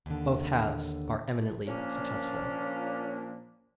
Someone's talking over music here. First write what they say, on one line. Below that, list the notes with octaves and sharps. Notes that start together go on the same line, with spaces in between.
Both halves are eminently successful.
D#2 D3
A#2 F3 A#3 C#4 D4